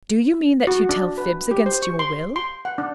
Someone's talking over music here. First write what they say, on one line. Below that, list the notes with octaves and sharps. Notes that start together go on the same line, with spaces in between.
"Do you mean that you tell fibs against your will?"
F#4
D4
B4
G4
C5
C#6
C6
C6
F#5
D4